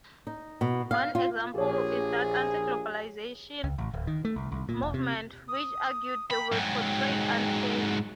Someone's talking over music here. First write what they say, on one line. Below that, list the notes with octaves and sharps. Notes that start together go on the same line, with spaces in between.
One example is the anti-globalization movement, which argued they were portrayed unfairly.
D#4
B2
F5
F4
A#1 G4 G#4 C#5
C#2
A1
D1
D#3
A3
C2
C2
A#2
E1
C3
D#6
G5 B5
G#2 F#3